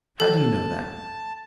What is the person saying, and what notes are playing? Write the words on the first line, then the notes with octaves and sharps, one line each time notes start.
How do you know that?'
A4 A5